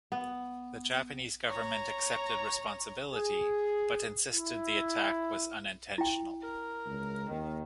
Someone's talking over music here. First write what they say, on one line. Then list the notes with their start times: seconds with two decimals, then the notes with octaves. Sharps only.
The Japanese government accepted responsibility, but insisted the attack was unintentional.
0.12 B3
1.47 C#5 A#5
3.12 G#4
4.31 E4
5.98 E4 G5
6.41 A#4
6.86 C#2
7.30 D#2 D#3